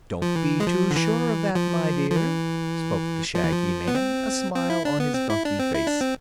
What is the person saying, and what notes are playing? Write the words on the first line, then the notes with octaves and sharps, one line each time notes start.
"Don't be too sure of that, my dear," spoke the shaggy man, a smile on his donkey face.
F3
E3
G#3
F3
D3
E3
F3
F3
E3
F3
E3
F3
B3
C4
C4
E4
D4
B3
C4
E4
D4
C4
E4
D4
C4